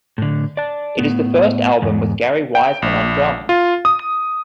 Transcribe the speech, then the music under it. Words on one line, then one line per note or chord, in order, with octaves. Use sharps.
It is the first album with Gary Wiseman on drums.
A2 D3
D5 A5
A2 B3
E2 G#2
G5
A#1
F4
D#6